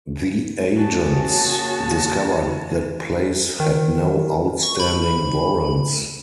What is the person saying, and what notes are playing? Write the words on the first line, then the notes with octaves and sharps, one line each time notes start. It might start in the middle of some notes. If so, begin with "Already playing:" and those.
The agents discovered that Place had no outstanding warrants.
A#3 C#4 F#4 G#4 A5
D#3
C#6
B5